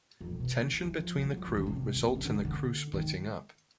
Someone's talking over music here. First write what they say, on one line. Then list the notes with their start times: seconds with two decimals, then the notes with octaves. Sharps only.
Tension between the crew results in the crew splitting up.
0.21 F2
0.30 A#2
0.40 B2
0.59 D#3
0.73 E3
0.85 E3
0.99 F3
1.18 F#3
1.37 F3
1.48 E3
1.57 D3
1.66 C#3
1.76 C3
1.96 C#3
2.02 C3
2.15 C#3
2.25 D3
2.35 C#3
2.45 D3
2.93 D#3